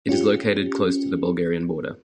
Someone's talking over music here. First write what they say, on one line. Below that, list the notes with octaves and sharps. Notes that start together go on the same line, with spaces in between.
It is located close to the Bulgarian border.
C#4 F4 G4